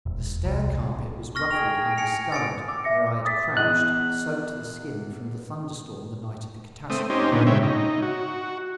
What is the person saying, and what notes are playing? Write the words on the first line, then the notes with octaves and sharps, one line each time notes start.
The stair carpet was ruffled and discoloured where I had crouched, soaked to the skin from the thunderstorm the night of the catastrophe.
E1
C2
C#6 F6 A#6
D#4 G#4 G5 F7
G#5 C#7 F7
F5 F#5 D#6 A6 C#7 D7
D6 E6
E5 A#6 C#7
D6
D#6 A6 B6
E2 D#5 F#6
A3 C4 D#6
C#4 D#4 G4 C5
A#2 D3 B3 C#4 D#4
G#2 C#3 C#5 E5 G5
D#4
F#4